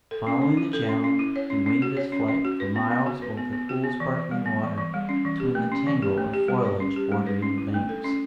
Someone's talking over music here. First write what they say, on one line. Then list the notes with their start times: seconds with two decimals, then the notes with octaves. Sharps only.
Following the channel, he winged his flight for miles over the cool sparkling water, between the tangle of foliage bordering the banks.
0.11 A4
0.27 C#4
0.42 C#4
0.57 E4
0.73 A4
0.89 C#4
1.04 C#4
1.19 E4
1.36 C#5
1.50 C#4
1.66 C#4
1.82 F#4
1.97 C#5
2.12 C#4
2.29 C#4
2.45 F#4
2.60 B4
2.76 B3
2.91 B3
3.06 F#4
3.22 B4
3.37 B3
3.53 B3
3.69 F#4
3.84 B3
4.00 E3
4.15 E3
4.31 G3
4.46 B3
4.63 E3
4.78 E3
4.94 G3
5.09 C#4
5.25 E3
5.40 G4
5.55 A3
5.72 C#4
5.87 E3
6.02 G4
6.18 A3
6.33 G4
6.48 G3
6.65 B4
6.80 C#4
6.96 G4
7.12 G3
7.27 B4
7.42 C#4
7.58 E4
7.74 A3
7.89 A4
8.04 C#4